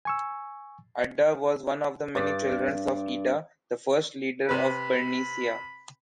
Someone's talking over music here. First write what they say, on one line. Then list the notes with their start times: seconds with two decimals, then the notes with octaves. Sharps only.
Adda was one of the many children of Ida, the first leader of Bernicia.
0.05 G#5 C#6 E6
2.15 G2 D5
4.49 C3 B4 B5